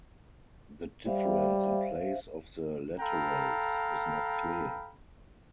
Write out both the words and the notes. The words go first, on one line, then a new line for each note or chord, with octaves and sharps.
The difference in place of the laterals is not clear.
G3 C5 E5 F5
A4 F5 G5 A#5 B5